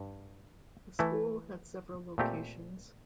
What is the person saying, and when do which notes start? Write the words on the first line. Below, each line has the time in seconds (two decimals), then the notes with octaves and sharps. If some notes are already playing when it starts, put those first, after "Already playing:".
The school had several locations.
Already playing: G2
0.99 E3 A3 E4
2.18 A#2 A3 C4 G4